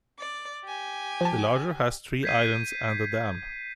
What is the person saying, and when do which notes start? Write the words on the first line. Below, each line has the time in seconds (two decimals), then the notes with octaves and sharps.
The larger has three islands and a dam.
0.19 D5
0.66 G4 G#5
1.21 F3 A5
2.23 G6 G#6 B6 C7 D#7